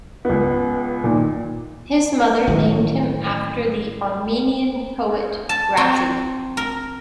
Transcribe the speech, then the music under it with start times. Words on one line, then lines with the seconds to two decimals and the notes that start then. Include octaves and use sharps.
His mother named him after the Armenian poet Raffi.
0.25 C#2 B3
1.04 A#2 D#3
2.47 A1 D#3 F#3
5.49 A5
5.77 C4
6.57 A#4